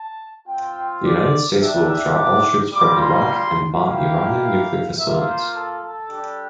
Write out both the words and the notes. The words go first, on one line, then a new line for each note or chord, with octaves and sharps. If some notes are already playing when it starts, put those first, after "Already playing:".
The United States will withdraw all troops from Iraq and bomb Iranian nuclear facilities.
Already playing: A5
C4 F4 G5
D5
A3 D4 G4 E5
E5
D6
G3 A#3 F4 D6
C6
A#3 E4 G4 F5
F5
A#3 F4 E5
C5
A4
A4
G3 D4 G4